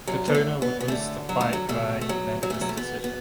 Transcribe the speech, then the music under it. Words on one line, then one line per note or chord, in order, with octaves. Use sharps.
Katona would lose the fight via unanimous decision.
F#2 D3 F#3
B3
A3
B3
B3
F#2 D3 A3
F#3
A3
F#3
E2 B2 A3
A3
F#3
F#3
E2 B2 A3
F#3
A3
B3
B3